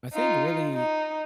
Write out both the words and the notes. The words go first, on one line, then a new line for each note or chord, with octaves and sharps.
I think really,
D#4 F4
D#4